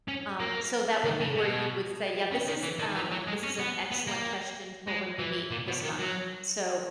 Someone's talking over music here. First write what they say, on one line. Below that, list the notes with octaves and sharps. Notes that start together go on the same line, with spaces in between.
um, so that would be where you would say, "Yeah, this is um, this is an excellent question for when we meet, uh, this month, so,
C#4
A#3
D#3
C#3
B2
C#3
D#3
E3
D#3
E3
F#3
G#3
C#4
B3
B3
A#3
G#3
E3
A#2
B2
D#3
F#3